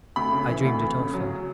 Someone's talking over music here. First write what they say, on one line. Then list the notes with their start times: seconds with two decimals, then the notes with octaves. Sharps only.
I dreamed it often.
0.16 D2 B5
0.32 C#3
0.49 E3
0.65 D2
0.81 D2
0.98 C#3
1.14 F#3